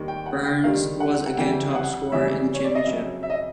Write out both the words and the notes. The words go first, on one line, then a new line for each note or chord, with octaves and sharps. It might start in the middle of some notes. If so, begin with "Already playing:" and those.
Burns was again top scorer in the Championship.
Already playing: D#2 D#3 G3
G5
F#5
G5
D#2 D#3 G3 F5
F#5
F#5
F2 C#3 E3 G3 G5
F#5
F2 C#3 E3 G3 E5
C#5
D5
D#5
F2 C#3 F#3 E5
E5
D#5